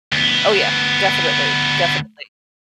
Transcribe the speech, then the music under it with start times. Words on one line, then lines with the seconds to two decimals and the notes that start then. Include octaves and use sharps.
Oh, yeah. Definitely. Definitely.
0.12 D2 B3